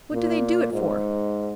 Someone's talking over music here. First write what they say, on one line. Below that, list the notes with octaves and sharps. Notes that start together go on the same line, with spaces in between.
What do they do it for?
A#2
G#2